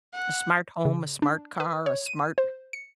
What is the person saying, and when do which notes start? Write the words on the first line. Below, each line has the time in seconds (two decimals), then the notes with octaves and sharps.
A smart home, a smart car, a smart
0.13 F#5
0.85 C#3
1.22 D4
1.60 B4
1.86 C#5
2.06 D#7
2.38 C5
2.73 C#7